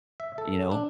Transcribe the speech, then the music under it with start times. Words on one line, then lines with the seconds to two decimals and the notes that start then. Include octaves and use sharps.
You know,
0.20 E5
0.38 A4
0.72 D4